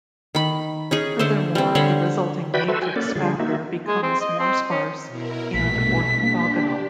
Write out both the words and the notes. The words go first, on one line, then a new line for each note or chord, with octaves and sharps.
Furthermore, the resulting matrix factor becomes more sparse and orthogonal.
D#3 B5
C#4 D#4 G#4
D3 A3 A4 C5
G3 C4
D3 C5 C#5 B5
F#4 B4 D5 E5 G5 B5
F#4 A4 B4 C5 E5
F#4 G5 G#5
A#3 C#4 A4 D5
D3 G3 F4 G#4
A#3 D#4 F#4 E5
G#3
C4
D#5
C4
C#4
B2 E4 A#4
A#1 G2 B2 A3 B6
A#3 D4 G4